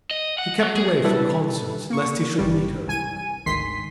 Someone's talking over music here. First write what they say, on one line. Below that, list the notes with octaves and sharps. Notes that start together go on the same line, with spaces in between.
He kept away from concerts lest he should meet her.
D#5
F#5
F#3
G#4
B2 D3 G3 E4 A4 B4
A#3 C#6
G#1 G2 G3
C2 G#5 D#7
G#1 D2 D#3 C6 B6 C7